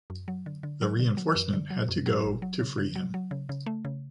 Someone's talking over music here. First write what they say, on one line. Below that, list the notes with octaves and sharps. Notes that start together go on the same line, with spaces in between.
The reinforcement had to go to free him.
F#2
F#3
D3
D3
F#3
D3
F#3
F#2
D3
F#3
F#2
F#3
G1
F#3
C#3
C#3
F#3
F#3
C#3
C#3
A3
C#3